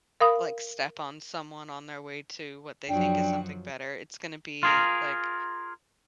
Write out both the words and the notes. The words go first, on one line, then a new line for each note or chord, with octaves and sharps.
like, step on someone on their way to what they think is something better. It's gonna be, like
A#4 F5 B5 D#6
F#2 F3 F#3 D4 G5
F4 G#4 A#4